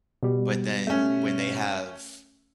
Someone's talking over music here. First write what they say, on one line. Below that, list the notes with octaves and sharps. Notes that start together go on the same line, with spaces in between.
but then, when they have
B2 G3
A3 C#4